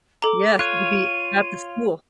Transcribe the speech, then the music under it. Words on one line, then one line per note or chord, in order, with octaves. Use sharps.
Yes, you'd be at the school.
A4 A#5 D6
F4 C#5 F#6 D#7